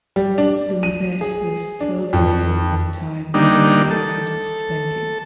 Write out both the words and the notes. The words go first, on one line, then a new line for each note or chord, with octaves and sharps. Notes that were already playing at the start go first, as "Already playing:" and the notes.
Louisette was twelve years old at the time and Francis was twenty.
G3
D4
D#7
G#4
D4
F2
D3 D#3 G3 A#3 D4 D#4
A4